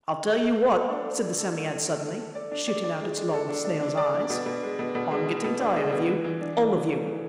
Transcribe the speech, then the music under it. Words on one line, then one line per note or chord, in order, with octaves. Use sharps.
'I'll tell you what,' said the Psammead suddenly, shooting out its long snail's eyes - 'I'm getting tired of you - all of you.
A3
A4
A3
A4
D4
A3
D4
A4
A3
A3
A3
A3
A4
D5
D4
D5
D5
G#3
G#3
A4
D4
D4
D4
D5
D4
B2
B2
G#3
B2
B2
G#3
G#3
B2
D4
G#3
B2
E3
E3
D4
E3
E3
A3
E3